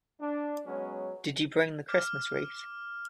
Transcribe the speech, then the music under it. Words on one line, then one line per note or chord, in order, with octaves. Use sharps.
Did you bring the Christmas wreath?
D4
F#3 G#3 B3 C#4
D6 F6